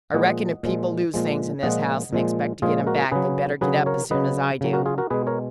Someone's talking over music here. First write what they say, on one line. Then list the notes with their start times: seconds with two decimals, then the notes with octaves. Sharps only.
"I reckon if people lose things in this house and expect to get 'em back, they better get up as soon as I do."
0.14 A#2 F3 G#3 D#5 F#5
0.63 A#2 F3 G#3
1.14 A#2 F3 G#3
1.63 A#2 F3 G#3 D#5 F#5
2.13 A#2 F3 G#3
2.62 A#2 F3 G#3 F4 G#4
2.87 F#4 A#4
3.11 C#3 F#3 G#4 B4
3.61 C#3 F#3 G#4 B4
3.86 A#4 C#5
4.11 C#3 F#3 B4 D#5
4.61 C#3 F#3
4.73 F#4 A#4
4.86 F4 G#4
4.98 F#4 A#4
5.10 B2 G#3 G#4 B4
5.27 A#4 C#5